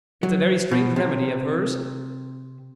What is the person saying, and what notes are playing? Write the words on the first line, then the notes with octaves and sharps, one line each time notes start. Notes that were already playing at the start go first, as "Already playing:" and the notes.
It's a very strange remedy of hers.
F#3
B2
C3